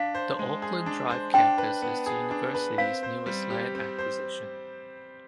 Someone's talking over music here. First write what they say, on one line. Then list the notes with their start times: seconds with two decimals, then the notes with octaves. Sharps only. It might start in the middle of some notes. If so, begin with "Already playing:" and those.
The Oakland Drive Campus is the university's newest land acquisition.
Already playing: D4 F5
0.15 C5
0.39 G#3
0.62 G#4
0.86 D4
1.11 C5
1.34 D4 G5
1.58 B4
1.82 B3
2.06 G#4
2.31 D4
2.54 B4
2.78 C4 F5
3.03 C5
3.26 G3
3.50 G4
3.75 C4
3.98 C5